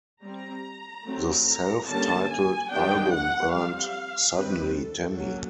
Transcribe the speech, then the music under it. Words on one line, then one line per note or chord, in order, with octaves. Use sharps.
The self-titled album earned Suddenly, Tammy!
G3 C4 A#5
F#3 A3 C4
A#5
D3 G3 A#3 C#4 A5
G#5
D#3 G3 B3 D4 G5
F#5
G3 C4 F5
D#3 G3 C4 B4
A4
F#3 A#3 C#4